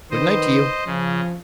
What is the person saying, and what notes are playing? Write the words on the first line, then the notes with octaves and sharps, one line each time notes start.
"Good-night to you."
D#3 B4 C5 D#5
C#3 F3